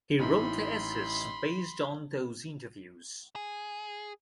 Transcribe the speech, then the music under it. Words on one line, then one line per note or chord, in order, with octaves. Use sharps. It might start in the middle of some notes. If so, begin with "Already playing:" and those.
He wrote essays based on those interviews.
A1 D#4 E4 B5 C6
G#4